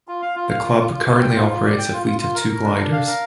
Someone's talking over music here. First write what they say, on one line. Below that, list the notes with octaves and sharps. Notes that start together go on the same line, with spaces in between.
The club currently operates a fleet of two gliders.
F4
F5
F4
F5
F4
F4
F4
F4
G5
F4
F4
D5
G5
F4
F4
F4
A#4
A#4
D4
D4
F5
A#4